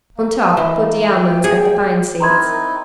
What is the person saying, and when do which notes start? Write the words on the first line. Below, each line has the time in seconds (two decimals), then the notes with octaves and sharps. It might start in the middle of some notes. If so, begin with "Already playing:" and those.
On top put the almonds and the pine-seeds.
0.17 A#3
0.57 E3 D#5 E5
1.08 G5
1.44 G#4
2.21 C4 D#4 E4 A#4 A#5 C6 G#6